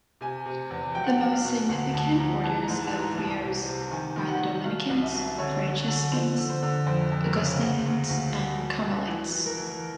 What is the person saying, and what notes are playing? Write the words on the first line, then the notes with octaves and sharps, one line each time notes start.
The most significant orders of friars are the Dominicans, Franciscans, Augustinians and Carmelites.
C3 G#5
C3
E2
F#3 G5
F#5
G5
F#3
F5
B2
D2 F#5
D2 A5
F3 A#5
E3 A5
A#5
G#2
A5
E3
A#5
C2 A5
C3
C3
D#3 G#5
D#3
F#5
F#3
B2 F5
C2
E5
B2
D3 C#5
F#3
D3
F3 C5
D3
C5
D3
F2 C5
F2
A#4
C#3
D2
D2
D2
B2
F#3
B2
E3
E3
A#4
E3